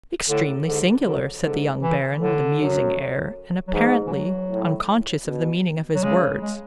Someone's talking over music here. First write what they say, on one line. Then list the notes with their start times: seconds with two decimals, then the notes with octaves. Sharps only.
"Extremely singular!" said the young Baron, with a musing air, and apparently unconscious of the meaning of his words.
0.29 A2 D3
0.68 G#2 D3
1.06 F#2 D3
1.45 G#2 D3
1.82 E3
2.21 A2 D3
2.59 F#2
3.68 F#3
3.74 G#2 E3
4.07 E3
4.12 F#3
4.50 A2
5.27 B2
5.95 F#3
6.03 C#3 G#3
6.41 G#3